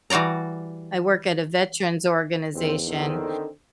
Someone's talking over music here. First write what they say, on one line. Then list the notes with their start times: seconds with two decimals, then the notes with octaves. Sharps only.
work at a veterans organization,
0.10 E3 G3 F#4 D5 A#5
2.55 A1 E2 C4
2.87 D3 D#3 C4